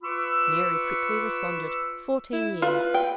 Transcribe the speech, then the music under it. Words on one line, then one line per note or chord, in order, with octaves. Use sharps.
Mary quickly responded, "Fourteen years."
F4 B4 B5 C#6 D6 E6
E4
F4 B4
G5